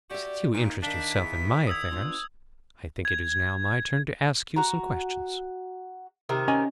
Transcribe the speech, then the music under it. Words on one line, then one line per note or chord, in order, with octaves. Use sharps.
"Since you interest yourself in my affairs, I think it is now my turn to ask you some questions."
F#4 G4 D5 E5
A#2 D#4
D#3 D4 F5 B6
E2
D#6 E6 G#6
B3 D4 F4
G#6
F#4 A#5
C3 D#3 A#4
C#4 D#5 G#5